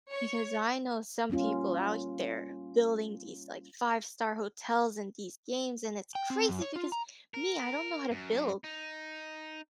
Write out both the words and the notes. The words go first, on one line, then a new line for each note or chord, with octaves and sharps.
because I know some people out there building these, like, five-star hotels and these games and it's crazy because me, I don't know how to build.
C#5
G3 A#3 C#4 F4
G5
C4
F#2
C#5
F4
A#5
A#4
F#2
D#4